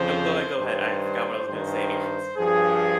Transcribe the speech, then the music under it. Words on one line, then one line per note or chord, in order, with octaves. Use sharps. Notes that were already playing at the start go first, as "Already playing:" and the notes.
No, go ahead, go ahead. I forgot what I was gonna say anyways.
Already playing: F2 C#3 F3 C5
G2 D#3 C5
G2 D#3 C5
G2 F3 G#4